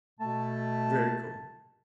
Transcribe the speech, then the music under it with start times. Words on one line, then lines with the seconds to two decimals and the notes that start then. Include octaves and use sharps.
Very cool.
0.20 B2 A3 A5